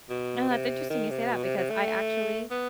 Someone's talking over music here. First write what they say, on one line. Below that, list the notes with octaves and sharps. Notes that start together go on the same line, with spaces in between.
And that's interesting you say that because I actually
B2
C3
D#3
C3
B2
C3
C3
A3
B3